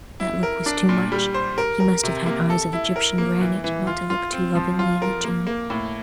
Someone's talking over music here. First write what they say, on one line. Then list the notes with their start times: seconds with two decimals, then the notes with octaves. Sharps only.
That look was too much: he must have had eyes of Egyptian granite not to look too lovingly in return.
0.20 E4
0.43 A#4
0.66 D4
0.89 A#2
1.12 G3
1.34 C5
1.58 A#4
1.80 A#4
2.04 C3
2.26 A#3
2.50 A4
2.73 E4
2.96 A#4
3.18 A#3
3.41 E3
3.64 E3
3.87 F4
4.10 F4
4.33 C4
4.55 F3
4.79 F4
5.02 A#4
5.24 A#3
5.47 A#3
5.70 A2